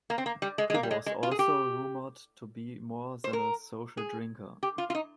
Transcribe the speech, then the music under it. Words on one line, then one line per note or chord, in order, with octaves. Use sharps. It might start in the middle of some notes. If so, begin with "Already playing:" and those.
He was also rumored to be more than a social drinker.
A#3
C4
A#3
G3
G#3
G#3
A#3
G3
G#3
G#3
F4
G#4
G4
C5
A#4
G#4
G4
F4
F4
D#4